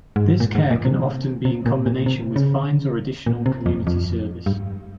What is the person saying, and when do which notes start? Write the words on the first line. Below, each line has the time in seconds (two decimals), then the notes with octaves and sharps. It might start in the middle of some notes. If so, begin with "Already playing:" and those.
This care can often be in combination with fines or additional community service.
0.16 G#2
0.25 G2
0.40 A#2
0.55 G#2
0.71 A#2
0.85 C3
1.45 C3
1.66 A#2
1.86 A#2
2.06 C3
2.36 C#3
3.26 A#2
3.46 C3
3.66 F2
3.87 F2
4.46 G2